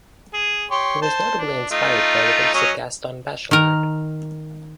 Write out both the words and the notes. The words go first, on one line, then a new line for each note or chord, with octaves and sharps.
He was notably inspired by the work of Gaston Bachelard.
G#4
G4 C#5 C6
C5 A5
D4
A3 D#4 F4
F#3 C#4 D#5
D#3 A#4